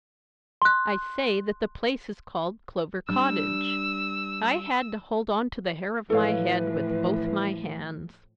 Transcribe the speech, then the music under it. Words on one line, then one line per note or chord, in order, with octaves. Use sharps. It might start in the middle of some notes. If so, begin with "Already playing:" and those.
'I say that the place is called Clover Cottage.' I had to hold on to the hair of my head with both my hands.
C6 F#6
G3 D4 E6
A2 E3 F3 A4 B4 C#5 F5